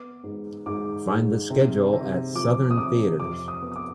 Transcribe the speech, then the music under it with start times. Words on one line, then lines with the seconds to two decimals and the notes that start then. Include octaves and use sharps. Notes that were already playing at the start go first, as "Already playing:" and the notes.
Find the schedule at Southern Theatres.
Already playing: B3 D6
0.24 G#2
0.66 G#2 D6
1.08 G#2
1.51 C3
1.93 C3
2.35 F3 D6
2.71 D#6
2.77 C3 D6
3.20 F2 D6
3.48 D#6
3.62 B3
3.72 D#6
3.76 D6